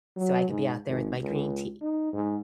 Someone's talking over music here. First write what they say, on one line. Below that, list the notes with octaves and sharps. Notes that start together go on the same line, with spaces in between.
with, so I could be out there with my green tea.
F#3
G#2
G#1
C#2
D#4
G#2